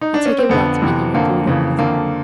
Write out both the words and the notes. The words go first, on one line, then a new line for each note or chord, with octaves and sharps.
He took it without speaking, and threw it over his arm.
D#4
D4
C#4
C4
F2 D3 B3
F2 C3 E3
F2 D3 A#3
F2 C#3 E3
F2 D3 A#3